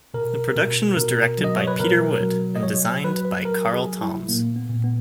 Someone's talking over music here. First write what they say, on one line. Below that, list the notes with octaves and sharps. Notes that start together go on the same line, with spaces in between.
The production was directed by Peter Wood and designed by Carl Toms.
B2 A#4
B2
B2 A#4
F#3
D#5
C#5
B4
B2 A#4
F#3
D#5
F#3 C#5
F#3 B4
B4
F#3 A#4
G#4
F#3
E4
A#2 A#3
B3
A#2
B3